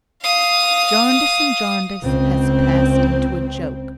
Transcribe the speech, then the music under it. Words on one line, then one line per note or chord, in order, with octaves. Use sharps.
Jarndyce and Jarndyce has passed into a joke.
F5 D#6
C#2 C4